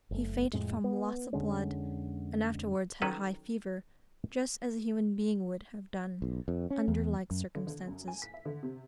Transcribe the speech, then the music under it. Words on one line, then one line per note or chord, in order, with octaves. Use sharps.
He fainted from loss of blood, and afterwards had high fever, just as a human being would have done, under like circumstances.
F#1 A3
F2 A2 G#3
B3
F2 D3 G#3 C#4
D#3 F#3 C#4 A4 B4
B1
F2
C#4
E2
F#2
D3
D3
F#2
G#5
B6
E5
D3
C3